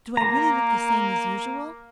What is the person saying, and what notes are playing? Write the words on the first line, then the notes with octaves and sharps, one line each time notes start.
Do I really look the same as usual?
A#3 A#5